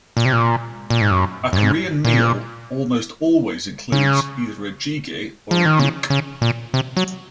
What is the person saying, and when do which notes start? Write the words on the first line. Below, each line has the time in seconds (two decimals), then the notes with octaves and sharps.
A Korean meal almost always includes either a "jjigae" or a "guk".
0.17 A#2
0.25 C3
0.33 A#2
0.90 A#2
1.01 G#2
1.11 F#2
1.53 F#2
1.58 G#2
2.05 A#2
3.92 C#3
5.51 F3
5.65 D#3
5.79 C#3
6.10 C#3
6.42 A#2
6.74 C3
6.97 F#3